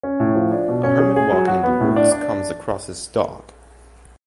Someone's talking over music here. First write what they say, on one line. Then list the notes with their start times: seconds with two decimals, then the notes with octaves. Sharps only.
A hermit walking in the woods comes across his dog.
0.03 C#4
0.20 A2
0.35 F3
0.52 D4
0.68 B2
0.83 C#4
0.99 G#4
1.16 G#4
1.32 F#3
1.47 F#4
1.63 B3
1.80 A2
1.96 D4
2.12 D4